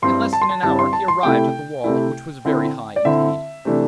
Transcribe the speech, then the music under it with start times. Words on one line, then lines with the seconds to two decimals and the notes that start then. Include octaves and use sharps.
In less than an hour he arrived at the wall, which was very high indeed.
0.02 G2 G3 C4 E4 C6
0.33 A5
0.42 C6
0.50 A5
0.63 G2 G3 C4 E4 A5
0.79 C6
0.93 A5
1.08 C6
1.23 C3 A3 E4 G5
1.84 C3 A3 E4
2.45 D3 C4 E4
2.96 D5
3.05 D3 C4 E4 E5
3.65 C3 E3 A3 D4